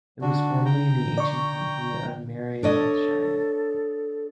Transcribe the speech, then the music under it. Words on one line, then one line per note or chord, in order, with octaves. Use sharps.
It was formerly in the ancient county of Merionethshire.
D3 D4 D#4 F#4
G5 A#5
D5 C#6
D4 A4 C#5 D#5